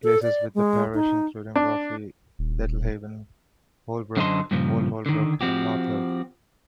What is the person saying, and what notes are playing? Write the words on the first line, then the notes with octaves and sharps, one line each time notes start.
Places within the parish include Roffey, Littlehaven, Holbrook, Old Holbrook and North Heath.
A4
D5
G#3
D#4
D4
D#1
F#2 D3 C5 D#5 A5 C6
G2 A#2 C#3 F3
D3 D#3
F3 C4 F#4 G4